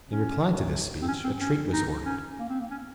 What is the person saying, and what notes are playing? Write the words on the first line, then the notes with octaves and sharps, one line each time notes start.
In reply to this speech a treat was ordered.
C#4
C4
C#4
C4
C#4
D#4
C#4
A#3
C4
A#3
C#4